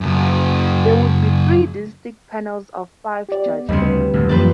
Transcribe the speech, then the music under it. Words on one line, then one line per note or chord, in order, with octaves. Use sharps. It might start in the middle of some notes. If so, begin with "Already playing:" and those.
There would be three distinct panels of five judges.
F#2 C#3
G4 D5
B3
D2 C#3 G3 C4 D#5
A#2 B4
D2 A2
F#2 E3 F3 A#3 G4 B4 C5 D5